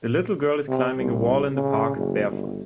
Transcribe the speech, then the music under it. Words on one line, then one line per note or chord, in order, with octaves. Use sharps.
The little girl is climbing a wall in the park barefoot.
C3
C2
C#3
F#1
G1